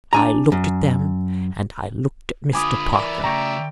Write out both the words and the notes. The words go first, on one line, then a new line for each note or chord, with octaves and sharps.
I looked at them and I looked at Mr. Parker.
D4 G#5 A#5
F#2
D3 F4 G#5 B5 D6 D#6
E3 A#4 D5 E5
C#3 A3 G5 A#5 C#6